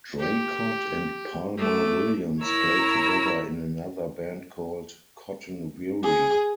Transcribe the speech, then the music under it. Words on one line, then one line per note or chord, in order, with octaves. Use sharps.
Draycott and Palmer-Williams played together in another band called Cotton Weary.
G4
A3 D6
E4 A#4 C#5 A#5 E6
G#4